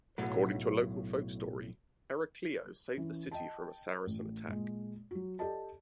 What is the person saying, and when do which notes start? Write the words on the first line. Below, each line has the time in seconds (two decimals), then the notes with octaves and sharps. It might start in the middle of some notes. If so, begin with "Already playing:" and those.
According to a local folk story, Eraclio saved the city from a Saracen attack.
0.18 B1 A2 F#3
2.97 E3 C#4
3.32 D#5 G5 A5
4.07 A1
4.48 A#2 G#3
5.11 F#3 F#4
5.39 G4 A4 D5 D#5 A5